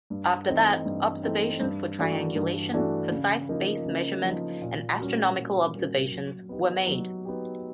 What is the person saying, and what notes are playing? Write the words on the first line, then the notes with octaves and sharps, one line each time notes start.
After that, observations for triangulation, precise base measurement and astronomical observations were made.
G2
E3 A3 C4 D#4
G2
E3 A3 C4 D#4
G2
E3 A3 D4 F#4
G2
E3 A3 D4 F#4
C#3
F3 A#3 D#4
C#3
F3 A#3 D#4
A#2
G3 A#3 C#4 F#4
A#2
G3 A#3 C#4 F#4
F#3
B3 D#4 G4
F#3
B3 D#4 G4